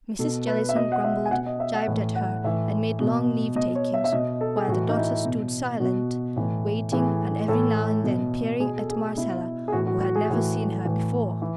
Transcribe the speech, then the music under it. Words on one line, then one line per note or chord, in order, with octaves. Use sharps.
Mrs. Jellison grumbled, gibed at her, and made long leave-takings, while the daughter stood silent, waiting, and every now and then peering at Marcella, who had never seen her before.
B2 A4
B4
E5
B2 D#5
F#5
E5
G#5
B2 F#5
D#5
E5
F#5
A2 E3
F#5
A2 E3 E5
B2
B2 D#5
C#5
E5
E5
B2 D#5
A4
G#4
A2 E3 F#4
D#4
E4
B2
B2 F#4
A2 E3
A2 E3 G#4
A2 E3 A4
B2
B2 G#4
A4
G#4
B2 E4
G#4
A2 E3 F#4
F#4
F#4
G#4
A2 E3 F#4
A2 E3
E3